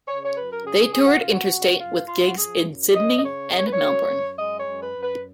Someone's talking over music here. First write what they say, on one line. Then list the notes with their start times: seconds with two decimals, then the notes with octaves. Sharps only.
They toured interstate with gigs in Sydney and Melbourne.
0.07 C#3 C#5
0.23 C#5
0.35 F#2 B4
0.51 A#4
0.64 C#3 G#4
0.93 C#3 G#4
1.06 F#4
1.18 F#2 F4
1.31 F#4
1.50 C#3
1.78 F#2 F4
2.07 F#2 F4
2.26 F#4
2.36 F3 G#4
2.65 F#2
2.93 F#2 D#5
3.17 D#5
3.22 C#3 C#5
3.51 F#2 D#5
3.58 C#5
3.65 B4
3.72 C#5
3.80 F#2
4.07 F#2
4.36 G#3 D#5
4.59 C#5
4.66 F#2
4.80 B4
4.94 F#2
5.01 B4